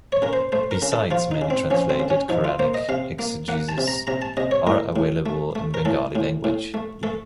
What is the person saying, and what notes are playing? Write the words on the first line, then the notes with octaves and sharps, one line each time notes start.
Besides many translated Quranic exegesis are available in Bengali language.
C#5
C#3 A#4
C5
A3 C5
A#4
C#3
A4
F3 F4
D#4
C#3
C4
F3 C#4
C4
C#3
C#4
F3 D#4
F4
A#3 C5
D#5
C3 F5
A#3
A#3 F#5
A5
C3
A#5
C3 A#5
A5
C3 D#5
C#5
A2 A#4
A2
A3
A3
A#4
A2 A4
A2
A2
A3
A3 A4